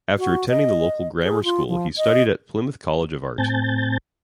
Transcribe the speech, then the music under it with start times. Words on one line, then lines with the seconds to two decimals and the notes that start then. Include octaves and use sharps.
After attending the local grammar school he studied at Plymouth College of Art.
0.19 F#4
0.49 D#5
1.23 G#4
1.44 F4
1.68 F3
1.97 D#5
3.38 A2 C4 G#5 A5 G6 A6